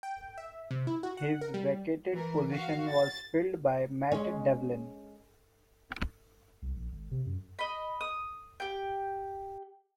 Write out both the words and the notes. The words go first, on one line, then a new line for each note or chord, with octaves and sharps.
His vacated position was filled by Matt Devlin.
G5
E5
C3
E4
F#4
F#5
A#4
G3
E3 A#4
F#4 F5
A6
G#3 C#4
C2
A#1
G#1
C3
F#2
D#5 B5
D#6
G4 G5